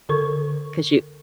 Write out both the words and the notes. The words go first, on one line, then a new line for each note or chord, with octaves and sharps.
'Cause you
D3 A4 A#4 C#6